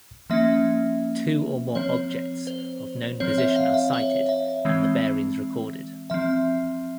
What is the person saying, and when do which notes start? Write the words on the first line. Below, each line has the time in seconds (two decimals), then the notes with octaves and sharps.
Two or more objects of known position are sighted, and the bearings recorded.
0.30 F3 A#3 C#4 E5
1.75 F3 C4 C#5
2.47 C5
3.20 F3 C4 C#5
3.38 E5
3.56 F5
3.74 E5
3.93 C#5
4.29 E5
4.65 E3 G#3 C4
6.10 F3 C4 E5